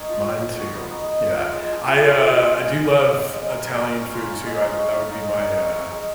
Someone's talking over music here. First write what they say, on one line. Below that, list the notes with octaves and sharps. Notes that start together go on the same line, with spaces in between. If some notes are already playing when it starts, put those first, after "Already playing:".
Mine too. Yeah. I, uh, I do love Italian food too. I've that would be my uh,
Already playing: C#4 D#4 G#4 C#5 D#5
F3
F3
F3
F#4
B3
D#4
D#4
F3
F3
G#3
F3
F3
F4
G#4
F4
G#3
F5
B3
F5
B3
G#3
A#4
A#4
A#4
C#4
F4
F4
G#3
D#4
C#5
F5
D#4
D#4
D#4
C#5
C#5
G#3